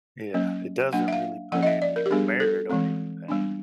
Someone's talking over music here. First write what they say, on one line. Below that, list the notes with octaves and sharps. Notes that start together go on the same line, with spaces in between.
Yeah. It doesn't really put any merit on anything
F#3 A#3 C#4
F#3 A#3 D4 F#5
E5
F5
F3 A#3 C#4 F#5
D#5
E5
D5
A#4
G4
G3 B3 D4 G#4
A4
E3 G#3 C4
G3 B3 D4